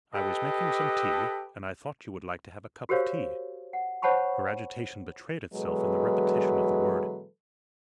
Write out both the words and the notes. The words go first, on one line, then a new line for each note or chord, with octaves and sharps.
"I was making some tea, and I thought you would like to have a cup of tea." Her agitation betrayed itself in the repetition of the word.
G4 A4 B4 D#5
F#4 G4 A#4 C5 C#5 F5
F#5
C5 C#5 F#5 A5 B5 C#6
B2 E3 F#3 G#3 A4 B4